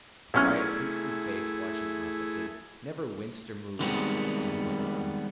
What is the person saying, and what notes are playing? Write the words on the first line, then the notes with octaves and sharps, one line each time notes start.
The quiet, priestly face watching opposite never winced or moved; and he went on.
B1 A3 C#4 E4 G#4 F6
D3 D#3 G3 G#3 B3 C4